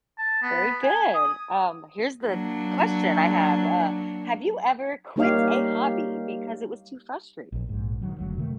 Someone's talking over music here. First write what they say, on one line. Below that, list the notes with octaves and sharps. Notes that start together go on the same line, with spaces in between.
Very good, um, here's the question I have, uh, have you ever quit a hobby because it was too frustrating?
A5
B3
G#5
D#6
F#3 A#3 D4
G3 A#3 D#4 G4 C#5 F5
A#1
A#1 G#2
D#3 F#3 G3
F#1 D2 F#3
C3 D#3 G#3 A3